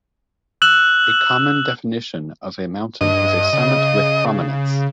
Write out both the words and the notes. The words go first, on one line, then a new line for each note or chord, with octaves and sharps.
A common definition of a mountain is a summit with prominence.
E6 F#6 E7 F#7
G2 D#5
C#3